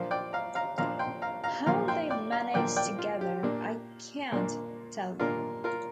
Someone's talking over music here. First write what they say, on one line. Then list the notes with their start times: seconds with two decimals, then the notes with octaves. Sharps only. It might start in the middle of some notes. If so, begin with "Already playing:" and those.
How they managed together, I can’t tell.
Already playing: A#2 F3 A#3 D4 C5 F5
0.11 D5 G5
0.33 F5 A#5
0.55 F5 A#5
0.78 A#2 F3 A#3 D4 F5 A#5
0.99 G5 C6
1.22 F5 A#5
1.44 F5 A#5
1.66 A#2 F3 A#3 D4 F5 A#5
1.88 G5 C6
2.10 D5 G5
2.32 F5 A#5
2.54 A#2 F3 A#3 D4 D5 G5
2.76 D5 G5
2.98 F4
3.21 G4
3.43 A#2 A#3 D4
4.32 A#2 A#3 D4
5.19 A#2 A#3 D4 F4 A#4
5.64 F4 A#4